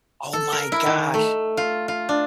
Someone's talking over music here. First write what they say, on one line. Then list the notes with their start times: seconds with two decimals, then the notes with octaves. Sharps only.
Oh my gosh.
0.33 A4
0.53 A#4
0.72 E4
0.86 D#3
1.14 A3
1.57 F4
1.88 F4
2.09 D4